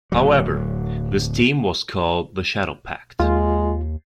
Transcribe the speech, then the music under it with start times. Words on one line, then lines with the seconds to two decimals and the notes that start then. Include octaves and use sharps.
However, this team was called the Shadowpact.
0.12 D1 F#3
3.20 D#2 G#3 F4